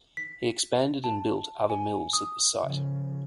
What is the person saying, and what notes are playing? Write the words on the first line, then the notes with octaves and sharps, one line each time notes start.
He expanded and built other mills at the site.
B6
A5
G#5
D#6
C#3 F3